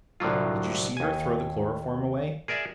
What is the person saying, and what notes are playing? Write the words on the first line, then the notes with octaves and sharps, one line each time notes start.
"Did you see her throw the chloroform away?"
C2 A2 D3 F#3 F4
D#2 G#5
G#4 A#4 D5 E5